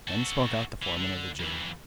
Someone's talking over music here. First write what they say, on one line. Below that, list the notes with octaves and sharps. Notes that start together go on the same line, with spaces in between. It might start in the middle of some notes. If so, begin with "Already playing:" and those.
Then spoke out the foreman of the jury.
F#4 A4
E3
D3
F2 E3